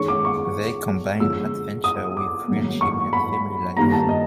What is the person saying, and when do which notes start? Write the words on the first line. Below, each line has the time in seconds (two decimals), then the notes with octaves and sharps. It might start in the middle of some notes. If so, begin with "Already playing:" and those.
They combine adventure with friendship and family life.
Already playing: D#3 G#3 C#4 C#6
0.08 D6
0.25 C#6
1.20 D3 F3 G#3 C#4 E6
1.84 D#6
2.17 D6
2.48 G#2 D#3 F#3 A#3 C#4
2.81 C#6
3.13 B5
3.77 G2 D#3 G3 A#3 D#4 A#5
3.92 A5
4.09 D#5